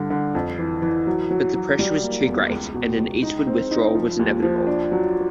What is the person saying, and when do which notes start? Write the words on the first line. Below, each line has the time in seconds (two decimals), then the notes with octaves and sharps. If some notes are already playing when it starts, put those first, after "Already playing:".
But the pressure was too great and an eastward withdrawal was inveitable.
Already playing: G2 D3
0.10 D3
0.35 F2
0.59 E3
0.82 E3
1.07 F#3
1.31 F#3
1.54 F#3
1.79 G3
2.03 A#3
2.27 E2
2.51 C#2
2.74 B2
2.98 C#2
3.23 D#4
3.47 C4
3.71 D#4
3.95 F3
4.19 D#2
4.43 F3
4.67 D4
4.92 F#3